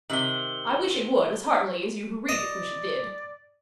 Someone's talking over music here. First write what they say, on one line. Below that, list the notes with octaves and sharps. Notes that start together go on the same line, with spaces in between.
I wish it would as heartily as you who read it wish it did.
C3 D#3 F#7 G7
D5 D#5